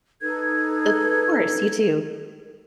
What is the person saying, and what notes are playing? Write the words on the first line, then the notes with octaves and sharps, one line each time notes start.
Of course, you too.
D#4 A4 B4 G#6